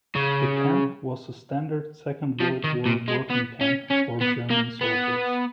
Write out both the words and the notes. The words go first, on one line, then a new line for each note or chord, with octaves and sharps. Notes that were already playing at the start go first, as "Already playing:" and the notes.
The camp was a standard Second World War working camp for German soldiers.
C#3
F3
D#3
A#2
G#3
B3
C#4
C#4
B3
A#3
B3